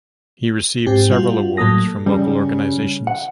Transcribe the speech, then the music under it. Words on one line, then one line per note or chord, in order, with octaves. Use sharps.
He received several awards from local organizations.
G#2 C4 G4
G3 F4 F#4
A2 F#3 A#3 A4 D#6 A#6
G2 C#3 G3
F#5